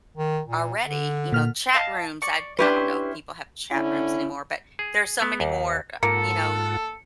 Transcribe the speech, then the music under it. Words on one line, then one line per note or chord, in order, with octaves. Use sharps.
already, you know, chat rooms, I I don't know if people have chat rooms anymore, but there are so many more, uh you know,
D#3
A#2
D3
A#2 F6
D#5 F5 A5
D5 C#6
C#4 D4 E4 G4 B4 C5
D3 C#4 E4
G#4
B3
D#2
G#2 A#3 F4 A4 F#5 C#7